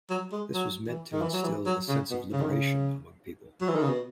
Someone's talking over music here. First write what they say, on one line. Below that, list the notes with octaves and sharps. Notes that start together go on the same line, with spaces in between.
This was meant to instill a sense of Liberation among people.
F#3
G#3
F#3
E3
D#3
E3
F#3
E3
F#3
C#3
B2
C#3
D#3
C#3
F#3
E3
D#3
C#3
B2